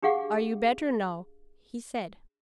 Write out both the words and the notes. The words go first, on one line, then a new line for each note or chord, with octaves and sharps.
'Are you better now?' he said.
D4 G4 G#4 F5 F#5 D6